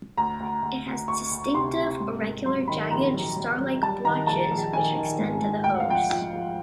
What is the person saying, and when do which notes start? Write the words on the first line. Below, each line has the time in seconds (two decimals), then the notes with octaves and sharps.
It has distinctive, irregular, jagged, star-like blotches which extend to the hooves.
0.17 D2 A#5
0.40 D2
0.63 D2
0.86 D2
1.08 D2 C#6
1.31 D2
1.54 C3 C6
1.77 C3
2.00 G#2
2.22 G#2
2.46 F#3 C6
2.68 D#3 B5
2.91 A#1 A#5
3.14 F#3
3.37 F#3
3.59 F#3
3.83 G3 A5
4.04 D#3 A#5
4.27 A#1 A5
4.51 A#1
4.73 D#3 G#5
4.96 D#3
5.19 G#2
5.41 G#2
5.64 D2 G5
5.74 F#5
5.80 F5
5.88 F3 G5
5.95 F#5
6.10 F3 G5
6.33 F3